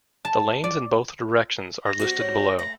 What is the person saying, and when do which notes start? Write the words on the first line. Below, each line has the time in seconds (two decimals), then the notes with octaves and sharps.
The lanes in both directions are listed below.
0.25 A5
0.64 D5
1.86 A#6
2.00 G3 C4 F#4
2.21 C#5
2.59 A3 A#6